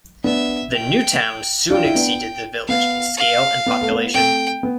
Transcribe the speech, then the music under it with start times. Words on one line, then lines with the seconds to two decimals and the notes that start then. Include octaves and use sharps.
The new town soon exceeded the village in scale and population.
0.24 B3 D4 E5
0.73 G5
1.70 D4 F4 G5
1.85 E4
1.95 B3 D4
2.68 B3 F5
3.18 F5
3.66 B3
3.81 A3
3.90 B3
4.14 A3 C4 G5
4.63 B3